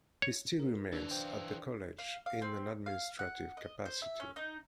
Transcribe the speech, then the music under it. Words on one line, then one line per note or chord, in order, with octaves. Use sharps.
He still remains at the college in an administrative capacity.
C#5
A#4
E3 D4 F4
C5 D5 G5
F5
F5
C4
F5
F#5
D#5
C5
E5
C#4
D#4